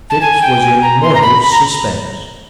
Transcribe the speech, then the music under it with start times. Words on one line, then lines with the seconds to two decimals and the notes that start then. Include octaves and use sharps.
Fix was in mortal suspense.
0.10 A5
0.21 G#5
0.42 G5
0.61 G#5
0.82 A#5
1.02 C6
1.15 A#5
1.22 B5
1.42 B5
1.51 A#5